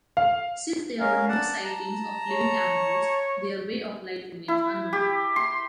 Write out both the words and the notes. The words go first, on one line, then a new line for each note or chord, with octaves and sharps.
Since there were no sightings of living animals, their way of life remains unknown.
F5
C#4 A#4 F5
D5 F#5 A5
A5 A#5
C#5
E4
G4
C6